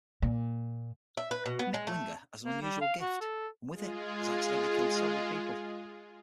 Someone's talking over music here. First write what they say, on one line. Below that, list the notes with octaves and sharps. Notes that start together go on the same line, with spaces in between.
Mick Winger has an unusual gift and with it has accidentally killed several people.
A#2
E5
B4
B2
B3
G#3
A3
A#3
G3
F5
F#4
A4
G#3 F4 G#4